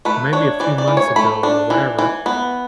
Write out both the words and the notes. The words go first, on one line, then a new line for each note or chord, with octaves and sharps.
or maybe a few months ago or whatever.
A3 B4
D4 C#5
E3 D5
D5
E3
C#5
A3 B5
D4
E3
E3
B3